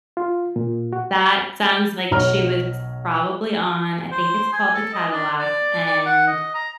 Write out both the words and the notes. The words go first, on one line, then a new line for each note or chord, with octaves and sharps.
That sounds like she was probably on- I think it's called the Cadillac, and
F4
A#2
F#4
B1 F#4 C#5 A#5 F6
C5
G#5
A4
D#5
D4
D5
D5
F#5
D#5
A#5